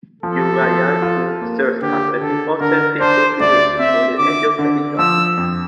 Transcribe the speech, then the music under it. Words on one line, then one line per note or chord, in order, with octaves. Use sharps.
Urayasu served as an important fishing village for the Edo capitol.
F3 A4
F3
F4
A#3
D3 G4
D3 A4
D3 A#4
D4 C5
D2 D5
C4 E5
D3 D6
D3
F3 E6
F2